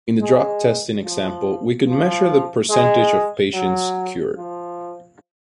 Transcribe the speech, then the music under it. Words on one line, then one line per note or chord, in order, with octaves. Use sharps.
In the drug testing example, we could measure the percentage of patients cured.
G#3
F3
F3
G#3
F#3
F3